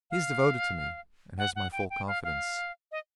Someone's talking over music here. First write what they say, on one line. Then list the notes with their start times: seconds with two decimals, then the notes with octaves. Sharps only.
He is devoted to me, and has my full confidence.
0.11 F5
1.38 F#5
1.56 F#5
1.72 G5
1.90 G5
2.07 F5
2.24 F5
2.92 D#5